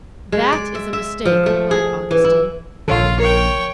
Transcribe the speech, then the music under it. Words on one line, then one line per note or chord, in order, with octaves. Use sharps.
"That is a mistake," replied Augustine.
G#3
D5
E5
E5
F3
A3
G#4
E3
E4
A#1 C#3 F4 A4 C#5 F5
A#4 C#5 G5